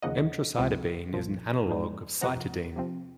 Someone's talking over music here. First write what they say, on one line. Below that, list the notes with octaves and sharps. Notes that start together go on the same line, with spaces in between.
Emtricitabine is an analogue of cytidine.
D#2 C#3 F3 A#3 D#5 F#5
C#2 C3 F3 C4
C2 A#2 F3
G#2 F3 G#3 D#4
F2 C3 F3 C4 F#5 A#5
C3 F3 C4